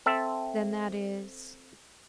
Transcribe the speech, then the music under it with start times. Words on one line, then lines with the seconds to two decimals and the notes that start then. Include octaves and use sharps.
"Then that is--?"
0.06 C4 A4 E5